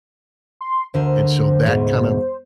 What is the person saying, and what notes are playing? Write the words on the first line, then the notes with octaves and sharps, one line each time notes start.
and so that kind of,
C6
D2 D3 A#4 C5
D2 G#2 B2